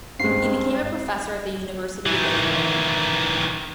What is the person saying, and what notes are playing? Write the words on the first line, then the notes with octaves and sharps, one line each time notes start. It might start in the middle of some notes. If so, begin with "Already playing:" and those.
He became a professor at the University of Illinois.
G2 G#3 C4 C7
D#3 E3